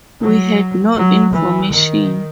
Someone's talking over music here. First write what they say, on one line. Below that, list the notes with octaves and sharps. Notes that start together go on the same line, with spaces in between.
We had no information.
F#3
F#3
E3
D#3